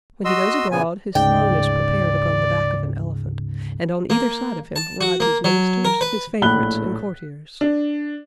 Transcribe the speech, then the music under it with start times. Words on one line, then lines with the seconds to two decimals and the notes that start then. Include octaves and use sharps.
When he goes abroad his throne is prepared upon the back of an elephant, and on either side of him ride his ministers, his favourites, and courtiers.
0.25 F#4 D#5 C6 E6
0.71 A#2 C#3 B3 G#5
1.15 D2 G#2 C#3 D5 G5
4.10 A#3
4.76 A5
5.01 F#4
5.20 A#3
5.44 F#3
5.85 A#4
6.01 B4
6.42 A#1 A2 B5 F#6 G7
7.61 D4